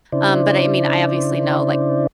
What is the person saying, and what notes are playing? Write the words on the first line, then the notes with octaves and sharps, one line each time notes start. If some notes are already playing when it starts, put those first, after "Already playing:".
Um, but I mean, I obviously know, like,
C#3 D4 E4 C5 D5